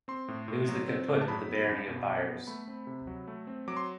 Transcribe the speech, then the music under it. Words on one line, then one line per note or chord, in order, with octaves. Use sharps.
It was the caput of the Barony of Byres.
C4 C6
A2
A2
F#3
C4
A2
A5
F#3 B5
B3
E2
B2
F#3
B3
A3 B5
C4
C3
F#3
A3
C4
F#3 D6
C6